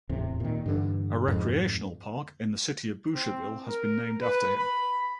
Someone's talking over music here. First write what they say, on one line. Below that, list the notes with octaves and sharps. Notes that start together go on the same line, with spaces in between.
A recreational park in the city of Boucherville has been named after him.
D1 E2 A2 C3
A#2 D#3
G2 D3 E3
F2 G#2
C4
A#4
B4
B5